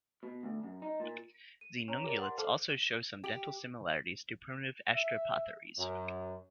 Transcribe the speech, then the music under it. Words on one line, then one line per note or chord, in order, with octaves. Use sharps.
Xenungulates also show some dental similarity to primitive astrapotheres.
B2
D2
F#2
D#4
A#2
D#7
F#7
C#4 C#5 A#5
G4 A#4 D5
F#5 C6
A4 C5 F5 D6
G4
E5
F#2